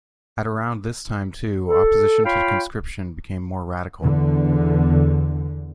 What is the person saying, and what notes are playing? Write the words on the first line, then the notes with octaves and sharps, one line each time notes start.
At around this time, too, opposition to conscription became more radical.
A4
F4 C#5 F5 G5 B5
E2 D3